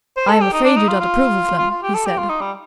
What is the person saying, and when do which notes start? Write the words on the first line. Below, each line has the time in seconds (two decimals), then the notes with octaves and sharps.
"I am afraid you don't approve of them," he said.
0.17 C5
0.28 A4
0.41 G4
0.53 D#4
0.64 D4
0.76 D#4
0.88 F4
1.00 F4
1.58 F4
1.71 F4
1.83 G4
1.94 A4
2.05 G4
2.18 F4
2.29 D#4
2.41 G3